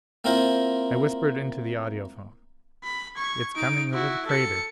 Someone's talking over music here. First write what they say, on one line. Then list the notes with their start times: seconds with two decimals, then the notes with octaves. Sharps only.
I whispered into the audiphone, "It's coming over the crater."
0.24 A#3 C4 E4 F4 A#4 C5
2.84 B5
3.17 C#6 G#6
3.55 D#4 D7
3.93 E4 F#4
4.27 A4 C#7